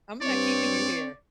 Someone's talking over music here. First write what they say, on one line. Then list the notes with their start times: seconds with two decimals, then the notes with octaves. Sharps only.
I'm not keeping you here.
0.22 G2 C4 C#5 D5